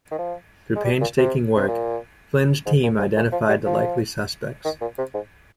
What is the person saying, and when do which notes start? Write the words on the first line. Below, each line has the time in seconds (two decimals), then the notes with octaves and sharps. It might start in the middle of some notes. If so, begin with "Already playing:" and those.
Through painstaking work, Flynn's team identified the likely suspects.
0.11 D#3
0.19 F3
0.76 G#3
0.85 G3
1.01 A#2
1.18 C3
1.57 C3
1.68 A#2
2.66 G#2
2.83 A#2
2.99 G#2
3.17 A#2
3.32 F3
3.49 G3
3.66 F3
4.65 D#3
4.81 A#2
4.98 C3
5.14 G#2